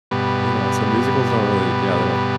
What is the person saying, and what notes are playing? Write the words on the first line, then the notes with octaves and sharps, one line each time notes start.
You know, so musicals don't really yeah, they don't
G2 B2